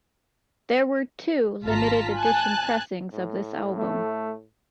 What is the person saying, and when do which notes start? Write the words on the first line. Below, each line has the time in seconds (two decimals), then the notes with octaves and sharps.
There were two limited-edition pressings of this album.
1.64 G#1 F4 A5 A#5 B6
2.16 G#5 A5 F#6
3.13 A2
3.76 A3